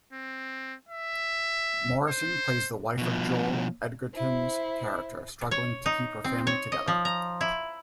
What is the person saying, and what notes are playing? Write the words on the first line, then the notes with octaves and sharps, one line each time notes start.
Morrison plays the wife of Joel Edgerton's character, struggling to keep her family together.
C4
E5
C5
B2 F3
E4 C5
C#5
D#4
C4
C#5
D#5
F3
A#5
E4